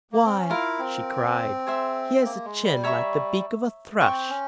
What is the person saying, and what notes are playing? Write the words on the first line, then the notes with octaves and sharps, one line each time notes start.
'Why!' she cried, 'he has a chin like the beak of a thrush.'
A#3
C4
C#4
E4 F4 A#4 F5
C4
G#4 C5 E5
A#3
G#3
G3
C#5 E5 A#5 C#6
C4 C5 G5 C#6
C#4